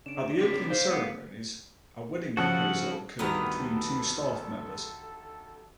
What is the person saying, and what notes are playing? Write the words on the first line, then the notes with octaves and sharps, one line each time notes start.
At the opening ceremonies a wedding proposal occurred between two staff members.
C#3 D4 D7 E7
C4 A#4 D6 A6 B6
C5 F5
B3
C#3 F3 F#4 A4 F#5
D2 D#3 G3 B3 A4 B4 A#5